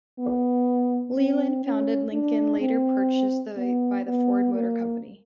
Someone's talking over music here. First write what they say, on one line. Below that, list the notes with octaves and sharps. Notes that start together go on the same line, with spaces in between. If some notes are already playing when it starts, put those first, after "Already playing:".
Leland founded Lincoln, later purchased by the Ford Motor Company.
B3
C4
C#4
D4
C4
B3
B3
A#3